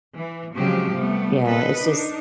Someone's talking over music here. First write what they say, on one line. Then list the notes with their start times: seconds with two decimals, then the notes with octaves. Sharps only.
Yeah, it's just
0.17 E3
0.56 C#3 F3 F#3 G#3 C4 G4
0.94 C3 G3 A3 B3
1.47 B3 A4 B4 D#5
1.79 D4 D#4